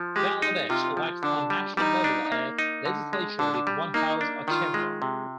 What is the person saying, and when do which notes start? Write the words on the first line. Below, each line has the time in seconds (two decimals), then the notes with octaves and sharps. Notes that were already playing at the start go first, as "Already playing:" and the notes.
Bangladesh elects on national level a legislature with one house or chamber.
Already playing: F3
0.15 G#3 G4
0.42 D#4
0.69 C3 F4
0.97 F3
1.23 D3 D4
1.50 G3
1.77 G3 D#4
2.04 D4
2.32 A#3
2.59 D#4
2.86 D3
3.13 G#3
3.39 D3 D4
3.67 G3
3.94 A#3 D#4
4.21 D4
4.47 D#3 F4
4.74 G#3
5.02 C3